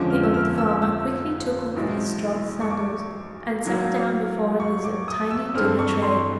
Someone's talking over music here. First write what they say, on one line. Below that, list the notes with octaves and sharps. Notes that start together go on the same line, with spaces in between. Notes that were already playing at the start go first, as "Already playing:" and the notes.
The old farmer quickly took off his straw sandals and sat down before his tiny dinner-tray.
Already playing: F2 D3 F3 G#3 C#4 D6
F6
E6
F6
E6
E6
B1 A2 E3 G#3
C#6
D6
A2 F#3 A#3
C#6
D6
D#6
E6
G2 E3 A3 C4 F6
C#6
C6